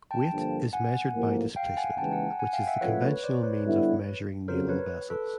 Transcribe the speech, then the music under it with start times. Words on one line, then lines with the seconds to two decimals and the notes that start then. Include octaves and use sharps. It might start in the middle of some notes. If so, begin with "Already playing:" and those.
Weight is measured by displacement, which is the conventional means of measuring naval vessels.
0.11 G5 A5
0.31 G2 D3 F3 A#3
0.73 F#5 G#5
1.15 A1 A2 F3 A#3
1.56 F5 G5
1.77 F#5 G#5
1.97 D#2 C#3 E3 G#3 G5 A5
2.11 F#5 G#5
2.39 F#5 G#5
2.53 F5 G5
2.67 E5 F#5
2.81 C#3 F3 A3 B4 C#5
3.02 B4 C#5
3.23 C5 D5
3.43 B4 C#5
3.65 D3 G3 B3 E4
4.48 F2 C#3 F#3 A#4 C5
4.69 B4 C#5
5.10 A4 B4